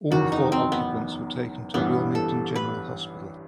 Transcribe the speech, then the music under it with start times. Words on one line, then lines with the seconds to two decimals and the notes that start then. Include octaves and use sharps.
All four occupants were taken to Wilmington General Hospital.
0.10 F#1 E2 D#3 F#4
0.32 D#4
0.52 C4
0.72 B3
1.74 A1 G2 E3 G3 B3
2.15 A4
2.56 B4